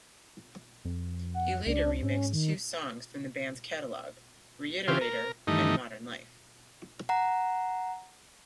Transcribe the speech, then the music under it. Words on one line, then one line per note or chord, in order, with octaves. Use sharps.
He later remixed two songs from the band's catalogue - "Reiterator" and "Modern Life".
F2
F#5
C#2 D4
G#2 C#4
D#3
C#3 E3 C4 F4 G4
A#4
G2 D#3 E3 A3 D#4
F#5 A#5